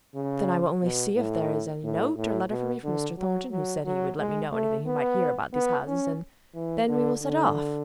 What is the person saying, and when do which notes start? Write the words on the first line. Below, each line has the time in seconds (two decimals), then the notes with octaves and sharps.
Then I will only see if there is any note or letter for me from Mr. Thornton, who said he would let me know anything he might hear about these houses, and then we will set off.
0.15 C#3
0.82 B2
1.16 A2
1.83 A2
2.17 A2
2.50 B2
2.84 D3
3.18 F#3
3.51 F#3
3.85 F#3
4.19 G#3
4.52 A3
4.86 B3
5.53 B3
5.87 C#4
6.54 E3
6.88 D3
7.22 D3